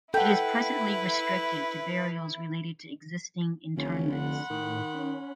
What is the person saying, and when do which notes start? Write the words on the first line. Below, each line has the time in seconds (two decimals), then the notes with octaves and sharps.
It is presently restricted to burials related to existing interments.
0.14 E4 A4 B4 F#5 G5
3.77 F1 D3 C#4
4.12 F#5 B5 C6
4.50 A2 D#3
4.94 C#4